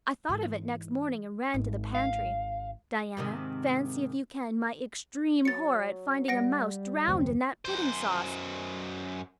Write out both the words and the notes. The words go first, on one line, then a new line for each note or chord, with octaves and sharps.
I thought of it next morning and ran to the pantry. Diana, fancy if you can my extreme horror at finding a mouse drowned in that pudding sauce!
G#2 E3
G#1
F5
G#2 C3 D#3
F#3 A6 C#7
G3 F#5 A#6 D7
F#1 D#2 C4
F#2 C5